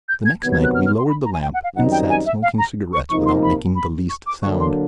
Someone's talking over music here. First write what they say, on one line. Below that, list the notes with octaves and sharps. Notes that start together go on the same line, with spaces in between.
The next night we lowered the lamp and sat smoking cigarettes without making the least sound.
G6
G#6
C3 D#3 F#3 B3 G#6
G#6
F#6
F6
F6
C6
B5
A#5
G#5
G5
F#5
F5
F#2 D#3 G3 C4 D#4 F#5
G5
G#5
E5
F5
A#5
C#6
C3 F3 A#3 D#4 C#6
C6
B5
B5
C#6
D6
D3 F#3 A#3 D4 C#6
C6